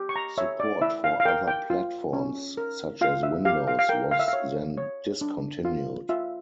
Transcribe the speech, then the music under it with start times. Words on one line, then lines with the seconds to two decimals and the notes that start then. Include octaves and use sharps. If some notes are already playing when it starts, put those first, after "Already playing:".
Support for other platforms, such as Windows, was then discontinued.
Already playing: G4
0.09 C#6
0.16 A#5
0.38 C#5 E5
0.60 D5
0.82 E4 E5
1.04 F5
1.20 F5
1.25 A#4 G5
1.47 G5
1.70 F4
2.13 C#4
2.57 A#4
3.01 F4 F5
3.23 E5
3.45 G4 F5
3.68 F5
3.79 F5
3.89 A#4 G5
4.11 F5
4.19 E5
4.28 F5
4.33 C#5
4.77 C#5
5.21 D4
5.65 F4
6.09 F4 E5